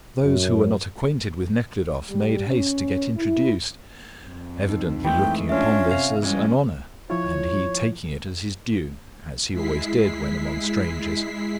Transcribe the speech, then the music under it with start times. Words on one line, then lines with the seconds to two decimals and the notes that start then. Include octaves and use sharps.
Those who were not acquainted with Nekhludoff made haste to get introduced, evidently looking upon this as an honour, and he taking it as his due, as he always did when among strangers.
0.23 F#2
2.09 G3
2.47 C#4
3.16 E4
4.26 F2
4.68 D#4
5.05 E3 G#3 A3 G5
5.49 C#4 D4 F4 E5 F6
5.91 C3 F5
6.23 E3 G3 G#3 C#4 F4
7.10 F3 E4 F4 C#5
9.51 G#3 E4 B6 C7